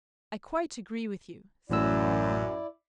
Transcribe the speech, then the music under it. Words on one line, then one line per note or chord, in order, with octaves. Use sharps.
"I quite agree with you," said the Colonel.
A1 F#2 A2 E4 D5 E6